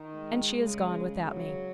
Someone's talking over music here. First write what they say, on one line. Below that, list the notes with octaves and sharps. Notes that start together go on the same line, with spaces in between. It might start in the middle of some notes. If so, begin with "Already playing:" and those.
And she is gone without me.
Already playing: D#3
G#3
C#3
F#3